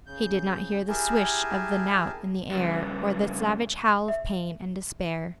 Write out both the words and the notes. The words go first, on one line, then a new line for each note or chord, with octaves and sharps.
He did not hear the swish of the knout in the air or the savage howl of pain and despair.
C#3 G6
E4 G4 G#4 A#4 G#5 A5
G2 C#3
E5